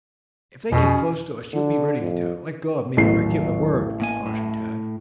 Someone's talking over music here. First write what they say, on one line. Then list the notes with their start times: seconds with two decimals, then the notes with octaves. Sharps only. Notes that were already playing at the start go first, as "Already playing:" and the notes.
"If they get close to us, you be ready to let go of me when I give the word," cautioned Tad.
0.72 F2 B2 C#4 G#4
1.53 D3
2.01 F2
2.97 A1 D#2 F#3 C7
4.00 A2 A#3 G#5
4.26 A2